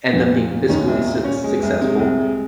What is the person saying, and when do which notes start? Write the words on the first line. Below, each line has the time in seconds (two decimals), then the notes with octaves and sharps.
end up being fiscally succes successful,
0.12 F2 A#2 F3
0.31 A#2
0.51 A#2
0.68 D#2 D#3 C#4
0.88 C2
1.06 A#2
1.24 C#4
1.44 G#3
1.63 C2
1.81 C3 G#3
1.99 C2
2.18 G#3